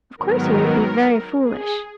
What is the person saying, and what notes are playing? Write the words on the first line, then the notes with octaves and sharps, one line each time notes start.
Of course he would be very foolish.
G#2 D#3 F#3 B3 A#4
G#4